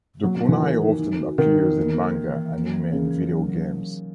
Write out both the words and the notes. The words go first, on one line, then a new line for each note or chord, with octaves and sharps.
The kunai often appears in manga, anime and video games.
F#3 A#3
F#3
D#4
E3
D#3 A#4
D#4
D#4
F#4
D#3 A#4
D#4
A#3
A#3
E3
E3
A#3
E3
C#3 E3
E3
F#3
F#3